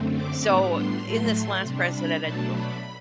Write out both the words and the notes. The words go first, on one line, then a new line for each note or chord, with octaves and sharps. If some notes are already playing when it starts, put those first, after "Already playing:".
So, we in this last presidential
Already playing: F#2 D3 A3 C4
D6
A2 G3 B3 D4
C6
A2 F#3 A3
C3 G3 D4
B5
B2 F#3 A3 D4 A5
B5